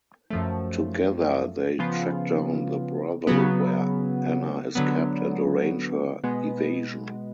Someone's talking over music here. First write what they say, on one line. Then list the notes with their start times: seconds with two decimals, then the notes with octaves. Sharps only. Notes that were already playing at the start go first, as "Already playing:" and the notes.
Together they track down the brothel where Anna is kept and arrange her evasion.
0.30 F#2 F3 A3
1.79 C#3 F3 B3 F4
3.27 C#3 F#3 B3
4.75 D3 F#3 B3
6.24 B2 G#3 B3